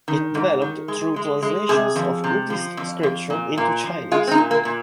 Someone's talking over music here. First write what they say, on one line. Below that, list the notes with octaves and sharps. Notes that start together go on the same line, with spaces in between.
It developed through translations of Buddhist scripture into Chinese.
D#3
G#2
D#3
G#3
G#3
G#3
C3 G#4
F2
C3
F3
F2
F2
A#2
A#2
F3
G#3 F4
C4
D#4
A#2
A#3
A#2